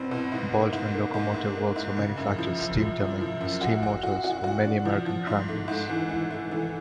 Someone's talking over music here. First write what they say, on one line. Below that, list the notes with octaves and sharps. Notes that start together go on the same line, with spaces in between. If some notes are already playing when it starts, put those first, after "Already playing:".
Baldwin Locomotive Works manufactured Steam Dummy or Steam Motors for many American tramways.
Already playing: B2 G3 C4
B2
G#2
A#3
G#2
A#3
G#2
G#2
A#3
G#2
C#3
F#2
F3
F#2
F3
F#2
F3
F#2
F#4
F#4
F#4
F#4
F#4
D4
F3
F3
G#2
A3
G#2
E3
E3
A3
E3